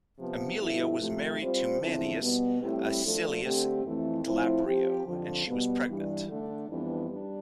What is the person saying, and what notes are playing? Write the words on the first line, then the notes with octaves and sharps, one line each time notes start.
Aemilia was married to Manius Acilius Glabrio, and she was pregnant.
C3 F3 B3
G2 F3 B3 E4 A4
C3 F3 A3
G3 C4 F4 C5
E2 D3 F3 C4 E4
B2 G3 B3
A2 G3 C4 E4 G4
F3 A3 D4 A4
D3 A3 C4 G4
F2 E3 A3 C4 E4
A2 F3 C4 E4
F3 C4 G4
F2 D3 F3
B2 G3 B3
G2 E3 G3 D4
D3 A3 D4
F2 E3 G3 B3 D4
G3 D4